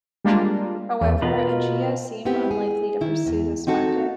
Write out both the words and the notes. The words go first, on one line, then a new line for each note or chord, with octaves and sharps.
However Ageia seem unlikely to pursue this market.
G3 G#3 A#3 D4 F4
E2
B2 F4 A#4 B5
B3 C4 E4 G4
G#4
D#3 E4
E2
C4 D#4 F#4 A4